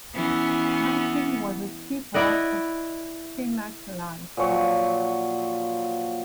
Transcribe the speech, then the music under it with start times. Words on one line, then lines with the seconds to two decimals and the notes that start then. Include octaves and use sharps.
Hunting was a key part of Kimak life.
0.15 E3 B3 C#4
2.14 E4 D5 D#5 F#5
4.37 A#2 F3 F#3 C#6